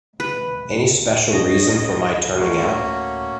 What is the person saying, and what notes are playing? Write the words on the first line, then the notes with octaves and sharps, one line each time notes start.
Any special reason for my turning out?
B4
C#4 D#5
A3 A#3 C#4 F#4